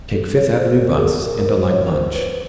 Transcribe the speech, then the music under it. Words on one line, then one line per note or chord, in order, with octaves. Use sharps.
Take Fifth Avenue bus, and a light lunch.
A4
C#5
C5
A#4
G#4
A4
A#4
C5
C#5
C5
B4